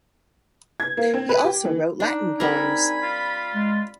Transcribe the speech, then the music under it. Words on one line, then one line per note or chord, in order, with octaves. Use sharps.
He also wrote Latin poems.
G#6
A#3
C4
B4
G4
E3
D4 D#4
G3 C4 A#4 G#5 B5
F4
G#3